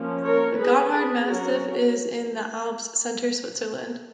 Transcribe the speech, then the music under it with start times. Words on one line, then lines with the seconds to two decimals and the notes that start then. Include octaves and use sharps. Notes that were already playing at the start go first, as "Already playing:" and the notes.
The Gotthard massif is in the Alps, Center Switzerland.
Already playing: F3 A#3 C#4
0.24 A#4 C#5
0.58 G#4 B4
0.91 G#4 B4
1.26 F#3 C#4 F#4 A#4